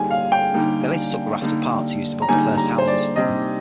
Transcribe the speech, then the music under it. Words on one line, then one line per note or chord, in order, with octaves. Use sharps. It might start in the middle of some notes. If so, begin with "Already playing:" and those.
They later took the rafts apart to use to build their first houses.
Already playing: D3 G3 A#3 D#4 G#5
F5
G5
D3 G3 A#3 D#4
D3 G3 A#3 D#4
A#5
D3 G3 A#3 D#4 G#5
A#5
C5
D5
C3 G3 D4 D#5